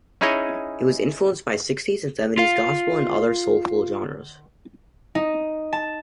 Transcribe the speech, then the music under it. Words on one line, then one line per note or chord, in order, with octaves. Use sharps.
It was influenced by sixties and seventies gospel and other soulful genres.
C#4 D#4 E4 G#4 C#5 D#5
F4 F5
D#4
A5